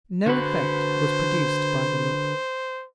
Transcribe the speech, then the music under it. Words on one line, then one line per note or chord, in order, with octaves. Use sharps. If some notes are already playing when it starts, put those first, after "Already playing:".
No effect was produced by the look.
D3 F#4 B4 C5